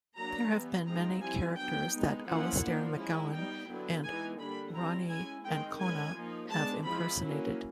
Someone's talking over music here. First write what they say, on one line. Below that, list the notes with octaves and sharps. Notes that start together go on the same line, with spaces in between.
There have been many characters that Alistair McGowan and Ronni Ancona have impersonated.
F#3 A#3 D4 A#5
E3 G3 B3
F3 G#3 C4 D#4 A#5
G3 C4 E4 G#5
F#3 B3 D4 G5
G#3 B3 D#4
F3 A#3 C#4 E4 F#5
F3 A#3 D4
G#3 C#4 E4
G3 B3 D#4 G5
D3 F#3 B3 E4
E3 G#3 B3 D#4 G#5
D3 G3 A#3 D4 B5
G3 C4 E4 A#5
G#3 C#4 E4 G#5
D#3 G#3 C4 G5
G#3 C#4 E4 G#5
F3 A#3 D#4
G#3 B3 D4 A5
F3 G#3 C4 E4 B5
F#3 A#3 C#4 E4